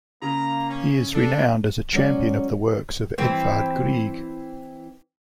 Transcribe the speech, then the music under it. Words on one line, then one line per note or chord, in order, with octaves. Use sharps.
He is renowned as a champion of the works of Edvard Grieg.
C#3 A#3 A#5
C#4
D4 A4
F#3 G#3 C#4 C#5 D5
E3 C4